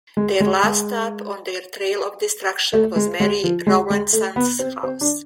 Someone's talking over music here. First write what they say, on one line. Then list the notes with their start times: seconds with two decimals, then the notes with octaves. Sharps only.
Their last stop on their trail of destruction was Mary Rowlandson's house.
0.17 G#3
0.40 G#3
0.63 G#3
2.73 A3
2.96 G#3
3.20 G#3
3.44 F3
3.67 G#3
3.90 G#3
4.13 A3
4.36 B3
4.59 C4
4.83 C4
5.01 D4